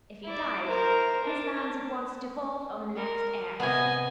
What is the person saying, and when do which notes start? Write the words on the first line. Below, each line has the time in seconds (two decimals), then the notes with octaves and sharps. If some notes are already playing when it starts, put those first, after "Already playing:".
If he died, his lands at once devolved on the next heir.
0.25 E4 D5
0.65 A#4 C5
1.25 D4
2.95 A#4
3.60 C3 B3 D#5 G#5